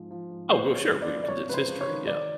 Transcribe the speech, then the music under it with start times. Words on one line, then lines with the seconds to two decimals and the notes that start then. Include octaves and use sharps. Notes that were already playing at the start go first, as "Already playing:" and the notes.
Oh, well, sure, we 'cause it's history, yeah.
Already playing: G#2 F3
0.11 F3
0.30 G#2
0.49 D3 C5
0.58 B4
0.66 C5
0.69 F#2
0.76 C#5
0.89 F#2
1.02 D5
1.08 F3
1.24 D5
1.28 C3 C#5
1.48 C#2 B4
1.54 C5
1.68 C#2
1.81 C#5
1.87 D#3
2.07 D#3 D5